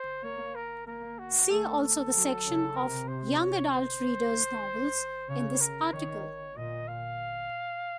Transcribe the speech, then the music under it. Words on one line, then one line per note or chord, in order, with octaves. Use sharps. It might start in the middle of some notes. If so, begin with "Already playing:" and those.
See also the section of "Young Adult Readers Novels" in this article.
Already playing: C5
A#3 C#5
A#4
A#3 A#4
F#4
A3 A4
F#3
C#3
C3 A#4
C5
C#5
C5
C#3 C#5
A#4
D#3 C#5
A#2 D#5
F5